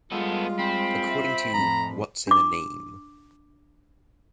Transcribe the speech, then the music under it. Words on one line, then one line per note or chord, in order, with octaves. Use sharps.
According to What's in a Name?
G3 G#3 B3 F4 A4
C4 B5
E5
F2 A2 A#5
D4 D6